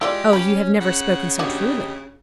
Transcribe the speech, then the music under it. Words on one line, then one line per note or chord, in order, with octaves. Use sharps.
"Oh, you have never spoken so truly."
G#3 E4 F4 G4 D5
C#4 B5
C#3 F#5
D4 F#4 G4 D#5